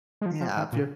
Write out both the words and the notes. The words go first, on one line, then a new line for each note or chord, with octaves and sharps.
Yeah, if you're
G#3
F3
F3
D#3
A#2